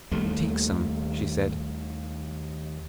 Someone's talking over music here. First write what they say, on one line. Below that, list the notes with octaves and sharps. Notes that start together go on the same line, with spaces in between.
"Take some," she said.
D#2 D#3 G3 A3